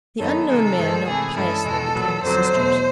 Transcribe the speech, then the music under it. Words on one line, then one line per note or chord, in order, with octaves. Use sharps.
The unknown man knelt piously between the sisters.
F#2 D#3 F#3 B3 D#4 A4
C3 D#3 G#3 A4
G2 D#3 G#3 C4
C3 E3 A3 G#4
G2 E3 G#3 C#4 E4 A4
E2 B2 G#3
A#2 F#3 B3
F2 D3 F#3 C5
E2 B2 F#3 A3